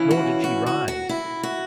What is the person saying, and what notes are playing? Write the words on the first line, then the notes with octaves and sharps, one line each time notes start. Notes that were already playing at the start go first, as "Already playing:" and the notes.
Nor did she rise.
Already playing: C#3 E3 C#4 E4
F#4
F#4
F#4
F#4
E4
F#4